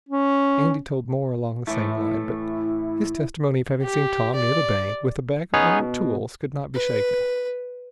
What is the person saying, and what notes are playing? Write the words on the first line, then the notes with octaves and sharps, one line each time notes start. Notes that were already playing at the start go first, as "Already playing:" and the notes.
Andy told more along the same line, but his testimony of having seen Tom near the bank, with a bag of odd tools could not be shaken.
C#4
A2 E3 A3 E4
G4
D5
B3 C#4 D#4 G#4 B4 C#5
B2
B4